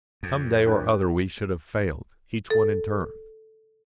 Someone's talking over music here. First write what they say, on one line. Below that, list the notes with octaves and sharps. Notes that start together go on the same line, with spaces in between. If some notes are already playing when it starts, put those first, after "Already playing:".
Some day or other we should have failed, each one in turn.
F2
D4 A#4 F#6
A4